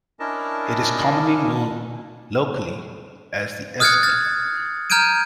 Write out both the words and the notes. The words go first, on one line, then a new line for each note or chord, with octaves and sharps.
It is commonly known locally as "The Espy".
C#4 D4 E4 A#4 D#5 A5
D#6 F6 F#6 G#6 A6 C#7
F6 A6
A#5 F6 G6 G#6 D7 D#7